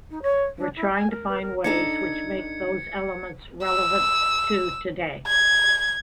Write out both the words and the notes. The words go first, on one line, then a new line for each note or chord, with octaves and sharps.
We're trying to find ways which makes those elements relevant to today.
D#4
C#5
D4
E4
G#5
A#4
B4
A#4
D4 D#4 A4 G#6 C#7
E6
G#6